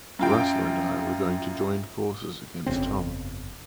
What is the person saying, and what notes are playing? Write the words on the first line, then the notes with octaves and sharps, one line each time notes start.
Russell and I were going to join forces against Tom.
F#2 F4 G5
G1 F2 C#3 C4